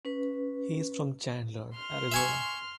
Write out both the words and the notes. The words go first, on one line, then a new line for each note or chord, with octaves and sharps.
He is from Chandler, Arizona.
C#4 B4
C6 F6
E5 G#5 C#6